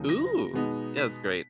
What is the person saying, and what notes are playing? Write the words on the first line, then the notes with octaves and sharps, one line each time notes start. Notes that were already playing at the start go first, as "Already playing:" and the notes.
Ooh. Yeah, that's great.
Already playing: D#2 C#3 F#3 A#3 D#4
A#6
B2 G#3 B3 D#4
B6